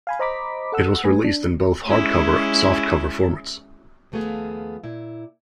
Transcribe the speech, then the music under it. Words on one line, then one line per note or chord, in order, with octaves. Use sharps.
It was released in both hardcover and softcover formats.
F5 G#5 B5
C5 D#5 A#5 B5 D6 B6
A4 F#5 E6
A3 B4 G#5
D4
G#3 C#4 E4
D#2 F3 A3 B3 G#4 F5
A#2 E4